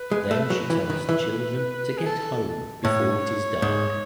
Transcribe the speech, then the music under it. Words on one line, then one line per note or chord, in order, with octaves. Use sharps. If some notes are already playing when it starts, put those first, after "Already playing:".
Then she tells the children to get home before it is dark.
Already playing: B4
G#3
A3
F#3
E3
D#3
E3
G#4
A4
A2 C#5
G#2